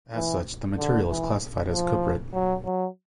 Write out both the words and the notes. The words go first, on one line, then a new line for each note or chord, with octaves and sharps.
As such the material is classified as a cuprate.
E3
D3
E3
F3
F#3
F#3